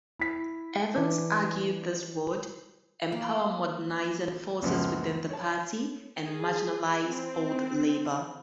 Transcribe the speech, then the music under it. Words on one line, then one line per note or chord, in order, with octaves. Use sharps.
Evans argued this would "empower modernising forces within the party and marginalise Old Labour".
E4 B6
E3 D4
A#3
C#2 F#2 A#2 F3 B3
C#5 A5
G#4
C4